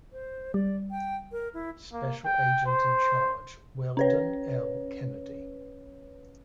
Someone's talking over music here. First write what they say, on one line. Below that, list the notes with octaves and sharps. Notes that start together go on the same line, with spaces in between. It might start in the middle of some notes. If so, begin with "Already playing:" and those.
Special Agent in Charge Weldon L. Kennedy.
C5
G3 D5
G5
A#4
E4
A#3
G5
C5
C#4 B4 C#5